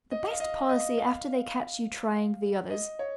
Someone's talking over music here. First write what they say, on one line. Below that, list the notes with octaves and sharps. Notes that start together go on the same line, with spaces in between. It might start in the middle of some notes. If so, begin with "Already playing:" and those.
The best policy after they catch you trying the others.
D#5
F5
D#5
D#5
F5
D#5
C#5